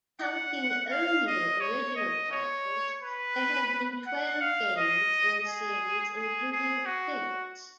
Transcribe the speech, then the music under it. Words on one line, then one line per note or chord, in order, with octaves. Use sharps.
Counting only original titles, there have been twelve games in the series including "Fates".
F#5
F5
D#5
C#5
D#5
C#5
B4
F#5
F5
D#5
G#4
G#4
G#4
F#4